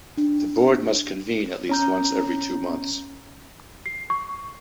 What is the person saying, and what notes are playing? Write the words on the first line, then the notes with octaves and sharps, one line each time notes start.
The board must convene at least once every two months.
D4
C#4 A#5 G6
C7
C#6